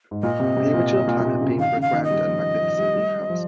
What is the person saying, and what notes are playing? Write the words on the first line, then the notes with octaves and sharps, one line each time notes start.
The original plan had been for a grand and magnificent new house.
G#2
A#2 D#5
C3
C3
A#2
A#2
A#2
C3
C#3
D#3 F5
C#3
F5
D#3
D#5
G3
F3
F3
G3
G3
F3